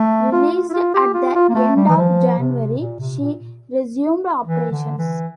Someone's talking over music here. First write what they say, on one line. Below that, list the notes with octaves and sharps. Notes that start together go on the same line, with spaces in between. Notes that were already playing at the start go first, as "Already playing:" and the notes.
Released at the end of January, she resumed operations.
Already playing: A3
F4
F4
E4
F4
G4
F4
F4
A#3
A3
G3
E3
F3
C3
A#2
C3
A#2
E3
D3
E3